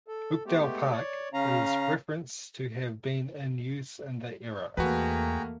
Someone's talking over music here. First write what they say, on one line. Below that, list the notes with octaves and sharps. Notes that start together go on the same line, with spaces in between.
Oakdale Park is referenced to have been in use in the era.
A4
G#3 A3 B3 G4
C#5 D5
C#3 C#4 F5 A#5
E2 A3 A#3 F#4 G#4 B4 G5 A#5